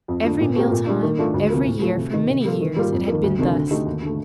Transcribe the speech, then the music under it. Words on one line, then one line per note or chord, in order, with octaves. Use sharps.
Every mealtime, every year, for many years, it had been thus.
F2
D3 F3 A3 D4
A#2
A3 C4 G4 A#4
A#2
G3 D4
D#3
A3 D4 F4
D2
C3 F3 A#3
A2
F3 A3
C3
D#3 A#3 D#4
C3
G3 A#3 F4 A4
D#3
G3 A#3 F4
F2
D#3 A#3
D2
C3 D#3 A3 D4
D3
A3 D#4 G4
D#2
D3 A3